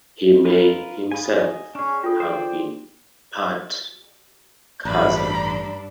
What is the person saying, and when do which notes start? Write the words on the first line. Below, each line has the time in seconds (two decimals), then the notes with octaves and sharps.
He may himself have been part Khazar.
0.45 D4 F4 A#4 B4 B5
1.11 D#5 F5 G#5 B5
1.75 C#4 D4 G#4
2.03 F4 A4 G5
2.20 G#4 C5 D5
4.85 A1 G2 D4 B5